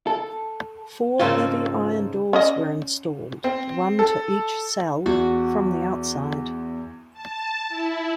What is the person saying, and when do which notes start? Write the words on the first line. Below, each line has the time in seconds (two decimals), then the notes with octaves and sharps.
Four heavy iron doors were installed, one to each cell, from the outside.
0.07 A4
1.20 G#2 C#3 A#3 C4 F4 A4
2.33 C#4 D5 D#5
3.44 C4
3.99 A4
5.06 E2 F#4
7.13 A5
7.69 E4